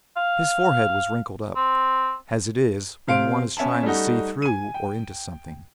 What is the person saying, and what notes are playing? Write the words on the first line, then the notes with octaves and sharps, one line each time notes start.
His forehead was wrinkled up, as it is when one is trying to see through or into something.
F5
C4
C3 C5 F5 C6 D7
B3 C#4 E5 G#5 A5
G3 A3 D#4 F#4
G#5 D#7
G5